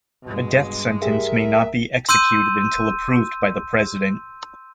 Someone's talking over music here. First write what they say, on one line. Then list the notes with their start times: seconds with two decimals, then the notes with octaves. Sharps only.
A death sentence may not be executed until approved by the President.
0.23 G2 B2 G#3
1.02 G4 G#4 A#4 E5
2.09 C6 E6 G6 D#7